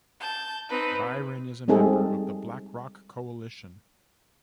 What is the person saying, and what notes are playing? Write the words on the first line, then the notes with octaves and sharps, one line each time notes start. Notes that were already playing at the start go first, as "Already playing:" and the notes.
Byron is a member of the Black Rock Coalition.
A5 G6
C4 D#4 B4
G3 G#3 C4 D#4 G#4 A4